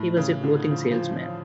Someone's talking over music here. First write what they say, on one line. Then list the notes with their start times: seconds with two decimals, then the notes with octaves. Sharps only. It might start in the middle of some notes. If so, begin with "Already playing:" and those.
He was a clothing salesman.
Already playing: A2
0.17 C#3
0.44 D3
0.71 F3
0.91 F3
1.11 F3